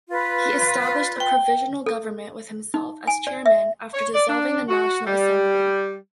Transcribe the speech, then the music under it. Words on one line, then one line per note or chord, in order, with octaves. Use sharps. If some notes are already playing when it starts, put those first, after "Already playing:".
He established a provisional government with himself as chairman after dissolving the national assembly.
F4 B4
G5
A4
D#4
G#5
D5
E5
C#5
D5
D4
F#4
G3